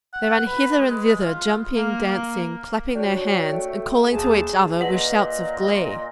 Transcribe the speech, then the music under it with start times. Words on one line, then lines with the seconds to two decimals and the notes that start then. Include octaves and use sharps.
They ran hither and thither jumping, dancing, clapping their hands and calling to each other with shouts of glee.
0.13 F#5
0.47 B4
0.79 G#3
1.20 F4
1.75 A#3
2.95 D4 F#4 C#5 G5
3.51 A3
4.12 D#2 G#4 A5
4.81 A#2 B4 D#5 F#5